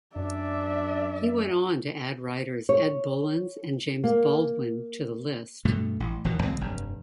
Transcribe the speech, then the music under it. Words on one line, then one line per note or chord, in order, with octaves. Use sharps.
He went on to add writers Ed Bullins and James Baldwin to the list.
F#2 D4 D5 E5
C#5
A#3
G2 B2 A3
A1
E1 E2 B2 D#3
C#2 E3 G#3 C4
F1 G2